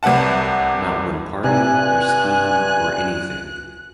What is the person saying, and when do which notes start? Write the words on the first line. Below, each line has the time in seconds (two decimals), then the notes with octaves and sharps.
Not one party, or scheme, or anything.
0.03 C2 C3 B4 F#5 A5
1.44 G2 C3 G#5 F#6